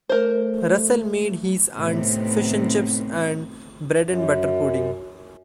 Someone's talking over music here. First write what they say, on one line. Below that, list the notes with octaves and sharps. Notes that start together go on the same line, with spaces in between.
Russell made his Aunt's Fish and Chips and Bread and Butter pudding.
A3 A#4 C5
A2 C3 D#3 B3 C4
F#2